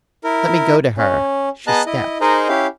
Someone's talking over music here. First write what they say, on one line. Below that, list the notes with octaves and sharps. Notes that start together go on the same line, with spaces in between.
"Let me go to her." She stepped.
E4 A#4
C#4
B3 G#4 D#5 A5 A#5 F#6
E4 D#5
D#4 G#4 A#4 C5 D#5 A#5
C#4 E4 G4 F5